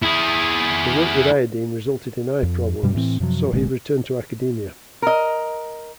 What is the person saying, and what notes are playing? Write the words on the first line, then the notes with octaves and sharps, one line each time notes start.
The work with iodine resulted in eye problems, so he returned to academia.
E4 G#4
F2
G2 B2 G3
A2 E3 C4
F#2 C3 F3 F#3
F#1 A#2 D3 G#3
A#4 D#5